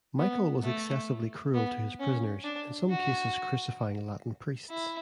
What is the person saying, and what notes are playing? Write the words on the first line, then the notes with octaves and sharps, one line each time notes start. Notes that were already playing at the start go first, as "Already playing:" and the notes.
Michael was excessively cruel to his prisoners, in some cases crucifying Latin priests.
B3
A3
B3
C#4
D4
F#4
E4